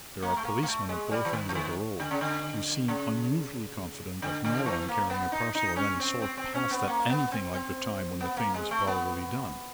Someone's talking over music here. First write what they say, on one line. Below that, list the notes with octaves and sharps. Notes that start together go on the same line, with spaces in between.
There are policemen at both ends of the road, who seem unusually confident that no one carrying a parcel of any sort passed at anything like the time when the thing was probably done.
A#3
A3
A#3
A#3
A3
G#3
G3
E3
D#3
E3
D#3
D3
C#3
D3
C#3
D3
D3
F3
E3
A#3
B3
D#4
D#4
C#4
C4
C4
C4
C#4
B3
A#3
B3
C4
C4
B3
A#3
G#3
A3
B3